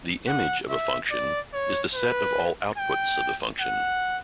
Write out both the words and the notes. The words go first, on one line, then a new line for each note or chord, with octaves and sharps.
The image of a function is the set of all outputs of the function.
F#5
E5
D5
C#5
B4
G5
F#5